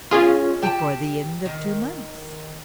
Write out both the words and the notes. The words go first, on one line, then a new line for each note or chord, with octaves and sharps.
"Before the end of two months."
G#3 C#4 F4 G#4
G4 G5 A5
D#3